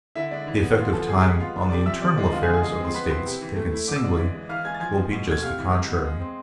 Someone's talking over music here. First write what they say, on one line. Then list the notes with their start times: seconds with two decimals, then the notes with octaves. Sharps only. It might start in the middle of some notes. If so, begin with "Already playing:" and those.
The effect of time on the internal affairs of the States, taken singly, will be just the contrary.
0.16 D3 E4 E5
0.31 G#3 D4 D5
0.47 E3
0.62 B3
0.78 D3 F4 F5
0.93 F3 A4 A5
1.08 C3 G#4 G#5
1.24 G#3
1.39 B3 F4 F5
1.56 D4
1.70 C3 D5 D6
1.86 F3 E5 E6
2.02 C3 D5 D6
2.18 G#3
2.32 D3 F4 F5
2.43 G#4 G#5
2.48 F3
2.53 G#4 G#5
2.63 G#3 G#4 G#5
2.80 C4 C6
2.94 B3 B4 B5
3.10 E4 C5 C6
3.26 C3
3.41 E3
3.56 A3
3.72 E4
3.87 D3 D6
3.96 E6
4.03 G#3 D5 D6
4.18 E3
4.34 G#3
4.49 E3 F5 F6
4.65 G#3 G#5 G#6
4.75 A6
4.80 F3 G#5 G#6
4.95 G#3
5.11 B2
5.27 A3 G#6
5.42 C3 F5 F6
5.58 E3
5.73 G#3
5.88 B3
6.04 G#3
6.20 C4